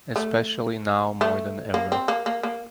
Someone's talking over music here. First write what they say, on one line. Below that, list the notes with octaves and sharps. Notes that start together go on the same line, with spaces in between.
Especially now more than ever.
A3
A3
A#3
C4
A#3
A#3
A#3